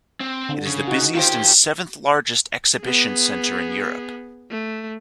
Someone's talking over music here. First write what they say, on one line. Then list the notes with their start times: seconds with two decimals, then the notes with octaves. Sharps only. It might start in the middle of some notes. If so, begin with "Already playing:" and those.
It is the busiest and seventh-largest exhibition centre in Europe.
0.20 C4
0.49 D3
0.67 C#3
0.88 D#4 F#4
1.15 D#3 F4 G4 C5
2.81 B3 G#4
4.50 A3